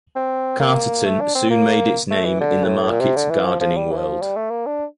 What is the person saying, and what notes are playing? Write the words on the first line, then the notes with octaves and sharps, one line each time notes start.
Carterton soon made its name in the market gardening world.
C4
A#3
A3
D4
C4
A#3
A3
E3
D3
A2
A#2
C3
D3
E3
F3
F3
G3
E3
F3
G3
A3
A#3
D4